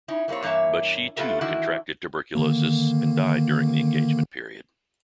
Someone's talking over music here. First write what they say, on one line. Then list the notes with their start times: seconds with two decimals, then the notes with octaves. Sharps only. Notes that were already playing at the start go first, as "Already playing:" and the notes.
But she, too, contracted tuberculosis, and died during the engagement period.
0.08 C#4 D#4 E4
0.28 E3 G3 A#3 C4 C#5
0.43 G2 E3 A#3 C#5 E5 A5
1.16 A3 B3 F4 G4 A#4 E5
1.41 D#3 E3 D4 E4 F#4
2.35 D3 D#3 A#3